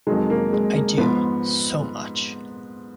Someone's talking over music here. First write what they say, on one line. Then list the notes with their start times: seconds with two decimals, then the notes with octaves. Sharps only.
I do, so much.
0.07 F2 D#3 F#3 G#3
0.30 A#3
0.53 G#3
0.75 A#3
0.97 G#2 F3 B3